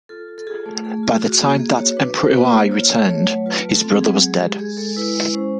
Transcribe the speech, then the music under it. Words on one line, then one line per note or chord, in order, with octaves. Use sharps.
By the time that Emperor Hui returned, his brother was dead.
F4 A4
F4
A4
F4 G#4
A3
A3 G#4
F4
F#4
A#3 G#4
A#3 G#4
F#4 C#5
D4 B4
F#4 C5
A#3 B4
A#3 C5
F4 C#5
A3
A3 C#5
F#3
F4 B4
A3
A4
C4
G#4
F#3
G#3 G#4
G#3 G4
G#3 G#4
G#3 A4
E4 B4
G#3
C#4 C5